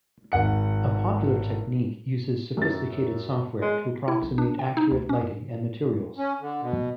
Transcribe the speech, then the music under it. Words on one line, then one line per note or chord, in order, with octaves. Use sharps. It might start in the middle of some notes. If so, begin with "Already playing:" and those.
A popular technique uses sophisticated software to approximate accurate lighting and materials.
G#1 F#5 C#7
F#2 A6
G#3
E4
A#1
D4
G5
D#4
D2
C#4
F#2
C#4
D3
B2